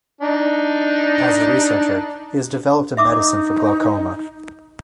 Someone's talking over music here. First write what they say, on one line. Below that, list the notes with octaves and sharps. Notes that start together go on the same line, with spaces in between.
As a researcher he has developed a medicine for glaucoma.
D4 D#4
D#4 E5 D6 D#6